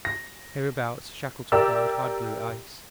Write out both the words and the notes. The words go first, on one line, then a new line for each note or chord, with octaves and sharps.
Hereabouts Shackleton found hard blue ice.
A#6
G4 A#4 D5 E5 E6